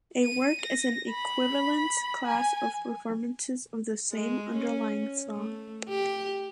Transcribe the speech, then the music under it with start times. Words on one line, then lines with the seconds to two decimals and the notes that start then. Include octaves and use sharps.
A work is an equivalence class of performances of the same underlying song.
0.24 D#7
0.61 A#6
1.10 B5
2.26 G#5
4.12 G#3
4.56 C#4
5.35 A3
5.89 G4